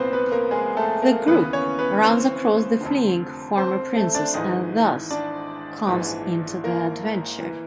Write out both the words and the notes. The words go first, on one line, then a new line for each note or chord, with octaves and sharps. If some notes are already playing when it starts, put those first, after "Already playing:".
The group runs across the fleeing former princess and thus comes into the adventure.
Already playing: C2 A#2 B3 C4 B4 C5
B3 B4
A#3 A#4
G#3 G#4
A3 A4
A#3 A#4
D#2 C#3 E3 B3 B4
C#4 C#5
B3 B4
C4 C5
F1 F2 D3
C4 C5
A3 A4
D4 D5
G#1 G#2 E3 D#4 D#5
D4 D5
A#1 G#2 E3
A#3 A#4
E3